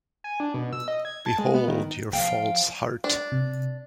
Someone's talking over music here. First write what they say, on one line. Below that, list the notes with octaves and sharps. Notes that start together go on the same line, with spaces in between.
Behold your false heart!
G#5
D4
B2
E6
D#5
G#6
A5
G#3
B3
D#3
F3 F5 G5
D4
C3